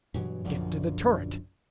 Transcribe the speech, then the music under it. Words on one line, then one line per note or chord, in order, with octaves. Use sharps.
Get to the turret!
G2 B2 E3 F#3
A#1 F#2 D3 F3